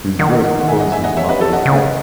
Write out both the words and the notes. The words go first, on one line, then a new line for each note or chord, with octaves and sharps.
His birth caused his mother’s death.
D#3 D#5 F#5
D#5 F#5
F#5
E5 G#5
D#5 F#5
E5 G#5
D#5 F#5
C#5 E5
B4 D#5
A4 C#5
D#5 F#5
C#3